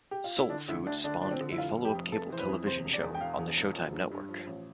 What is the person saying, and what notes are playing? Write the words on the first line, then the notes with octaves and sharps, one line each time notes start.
"Soul Food" spawned a follow-up cable television show on the Showtime network.
G4
F4
E4
D3 D4
D2 E4
D2 D4
D3 D4
F3 D4
C4
D3
E4
F1 F4
F1
G4
F2
F1 A4
E3 C5
B4
F2
C3 C5
E1
D5
E2
G5
E1 F5
E2
E1
F3
G2
G2
F3
A1